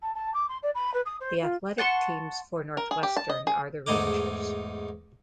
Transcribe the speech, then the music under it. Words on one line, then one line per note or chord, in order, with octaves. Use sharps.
The athletic teams for Northwestern are the Rangers.
A5
A5
D6
C6
D5
B5
B4
D#6
C5
F4
F#5 A5 C6 C#6
A#4
G#4
G4
A5
D#5
G#4
E2 G#2 A3 D#5 A#5 D6